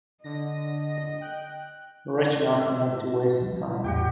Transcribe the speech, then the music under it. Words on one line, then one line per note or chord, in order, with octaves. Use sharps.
Rich enough not to waste time.
D3 D#5 A#6
G5 F#6
E5
F3 G3
E2 A2 A3 F#4 G4 G5